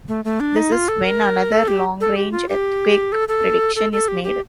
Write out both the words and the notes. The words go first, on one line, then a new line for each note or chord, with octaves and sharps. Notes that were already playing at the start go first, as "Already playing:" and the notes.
This is when another long-range earthquake prediction is made.
A3
A3
D4
D#4
F4
A4
A#4
A4
G4
A4
G4
F4
G4
A4
A4
A4
A4
G4
G4